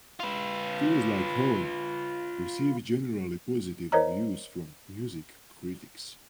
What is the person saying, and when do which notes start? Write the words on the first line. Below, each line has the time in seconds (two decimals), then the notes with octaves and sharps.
"Feels Like Home" received generally positive reviews from music critics.
0.20 F4 B4
3.92 A#4 C5 C#5 D#5 A#5